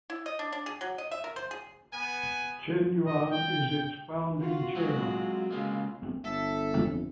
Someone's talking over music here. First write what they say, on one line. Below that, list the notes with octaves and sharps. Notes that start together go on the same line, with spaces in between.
Chen Yuan is its founding chairman.
E4
D#5
D4
D4
G#4
F#3
D#5
E5
A#4
C5
G#4
B3 B4 G#5
D#5
G5
F4 F#4
F#3 G#3 C4 F4
C#3 G#3 A#3
G1 A4 E5
F2